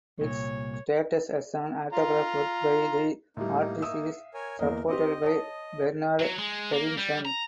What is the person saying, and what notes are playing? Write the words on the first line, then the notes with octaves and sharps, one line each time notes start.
Its status as an autograph work by the artist is supported by Bernard Berenson.
C2 A#2 C#5
F4 A#5
A2 G3 A#3 D#4
E5 D#6 E6
A#4 C#5 G#5
E2 A#3 A#4 D#5
C4 G4 D#5
C#5 A5 D#6
F#3
G#3
A#3
G3
A#5